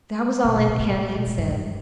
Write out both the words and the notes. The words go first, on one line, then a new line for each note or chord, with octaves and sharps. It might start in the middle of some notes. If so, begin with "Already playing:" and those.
That was all Aunt Hannah had said.
B2
B2
A#2
A2
B2
A2
G#2
G2